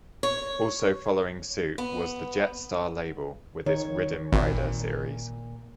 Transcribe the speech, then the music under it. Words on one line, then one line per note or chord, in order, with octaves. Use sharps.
Also following suit was the Jet Star label, with its "Riddim Rider" series.
C#5
B3
D#3 C#5
G#1 A#2